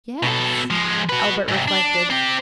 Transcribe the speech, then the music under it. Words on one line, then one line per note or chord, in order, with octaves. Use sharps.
"Yes."--Albert reflected.
B2 A4
F3 G#3
F#4 B4
G#2 C3
D4
C4 G4